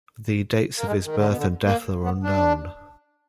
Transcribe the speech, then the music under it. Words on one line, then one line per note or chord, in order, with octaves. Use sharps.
The dates of his birth and death are unknown.
A#3
G#3
D#3
D3
B2
D3
A#3
B3
D4